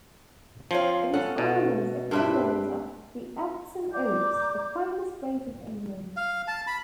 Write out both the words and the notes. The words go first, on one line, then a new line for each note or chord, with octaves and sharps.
It is Ireland's equivalent of the Epsom Oaks, a famous race in England.
F3 C4 C#5 F5
C#4 A4 F#5
B2
G2 C4 D4 A#4 B4 E5
D5 A#5 D6 G6
F5
A5
B5